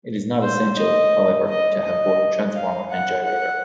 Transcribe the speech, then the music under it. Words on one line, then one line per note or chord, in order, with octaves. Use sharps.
It is not essential, however, to have both the transformer and gyrator.
C5
D#5
D#5
D#5
F5
F#5
F#5